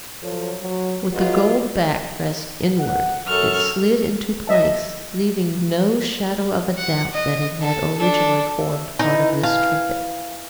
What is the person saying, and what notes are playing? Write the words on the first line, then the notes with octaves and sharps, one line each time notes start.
With the gold back pressed inward, it slid into place, leaving no shadow of doubt that it had originally formed part of this trinket.
F3 F#3 A4 C#5
F#3
F#3 F4 F#4 G#4 B4 D#5
F#5
F#2 A4 C#6 F6
D#5 E5 A5
F#5
D#5
A4
D4 A4
E5
E3 D#4
F5 G#5 A5